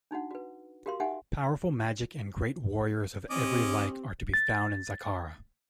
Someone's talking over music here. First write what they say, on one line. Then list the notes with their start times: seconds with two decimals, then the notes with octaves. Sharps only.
Powerful magic and great warriors of every like are to be found in Zakhara.
0.11 D4 D#4 F#4 F#5
0.31 F#4 B4
0.86 F#4 G4 A#4 F5 C6
1.00 D#4 G4 E5 F#5 G#5
3.30 C4 C#4 G4 D#5 D6
4.34 A6